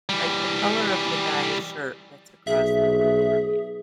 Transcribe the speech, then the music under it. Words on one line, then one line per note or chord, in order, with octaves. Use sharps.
like, the color of the guy's shirt that's across the room from you,
E3 G3
B1 G#4 E5